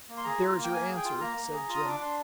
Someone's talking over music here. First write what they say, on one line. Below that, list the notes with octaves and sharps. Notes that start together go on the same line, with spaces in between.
"There's your answer," said Jim.
A#3
C6
G#4 A#5
F4
A#3
G5
A#3 G#5
G#4
G5
F4
A#3 A#5
A#3
G#4
F4
D#6
D4 D6
D4 C6